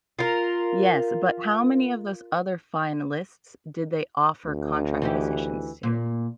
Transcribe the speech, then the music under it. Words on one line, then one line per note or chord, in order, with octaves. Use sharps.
Yes, but how many of those other finalists did they offer contract positions to?
F4 A#4
D2
E3 D#4 G4
A#2